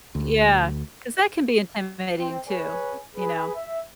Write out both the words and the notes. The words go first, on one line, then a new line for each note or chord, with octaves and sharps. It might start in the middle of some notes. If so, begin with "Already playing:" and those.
Yeah, 'cause that can be intimidating too, you know.
D2
C4
G#4 B4 C#5 G#5
G#4 B4
E5